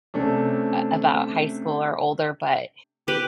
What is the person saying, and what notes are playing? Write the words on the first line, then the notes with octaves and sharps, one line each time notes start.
uh, about high school or older, but
C3 A3 C#4 D4
G4 B4